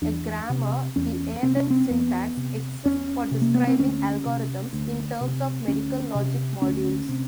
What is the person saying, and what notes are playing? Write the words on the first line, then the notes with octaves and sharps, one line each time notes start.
A grammar-the Arden syntax-exists for describing algorithms in terms of medical logic modules.
E2 D4
C3
E2 C#4
C3 C4
C#4
C4
E2 B3
C3
E2 C#4
C3
A#3
B3
C4
D2 C#4
C3
D2
C3
D2 C#4
C3
D2 C#4
C3